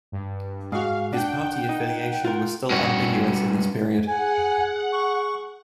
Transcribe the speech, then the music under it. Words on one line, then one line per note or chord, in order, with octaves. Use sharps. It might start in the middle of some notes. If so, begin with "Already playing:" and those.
His party affiliation was still ambiguous in this period.
G2
G#2 F#4 F5
D4 F#5 G5
D#4
F4 A#4
G2 F#4
G#4 F#5 G#5
C#6